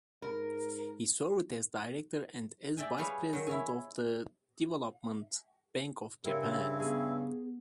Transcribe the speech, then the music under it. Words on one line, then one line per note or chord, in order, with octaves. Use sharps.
He served as Director and as Vice President of the Development Bank of Japan.
G#2 A#4
D5 E5 G5 G#5
G3 G#4 B4 C#5 F5
D#3 F#3
E4 C#5 G#5
G2 C#3 C4 E4 G4 A#4 C#5
B3 G#4